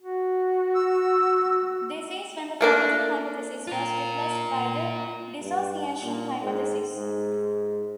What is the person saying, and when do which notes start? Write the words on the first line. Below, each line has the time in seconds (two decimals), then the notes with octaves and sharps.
This is when the forgetting hypothesis was replaced by the dissociation hypothesis.
0.01 F#4
0.75 E6
2.61 A3 A#3 D4
3.67 F4 A#4
5.41 G2
6.03 A#2
6.42 G#2
6.95 G#2